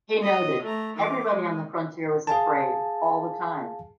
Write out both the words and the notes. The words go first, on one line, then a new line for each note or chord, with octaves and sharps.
He noted: Everybody on the frontier was afraid, all the time.
D#5
A3 A#5
E3 D6
G#3
G#4 F5 G#5 A5